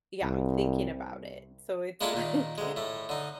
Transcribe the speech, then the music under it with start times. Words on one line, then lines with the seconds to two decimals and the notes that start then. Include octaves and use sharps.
Yeah, I'm thinking about it. So, it's like,
0.23 C2
2.01 G#3 A#3 D4 E4 F4 A4
2.13 A#2 D#3
2.58 D2 G#3
2.76 A2 A3
3.09 D3 D#4